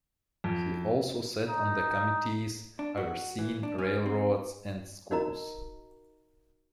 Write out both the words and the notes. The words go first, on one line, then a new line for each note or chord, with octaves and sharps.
He also sat on the committees overseeing railroads and schools.
F2
D#4
D4
F#4
E3
D4
C#4
C4
D#4 F#4 A#4 D#5 A#5